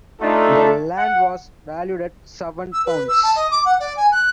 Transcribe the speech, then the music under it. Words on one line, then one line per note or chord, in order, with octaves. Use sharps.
The land was valued at seven pounds.
A3 D4 D#4 F4 A4
F#5
E6
B4
E6
A5
D#5
D6
F#5
D5
G#5
F#6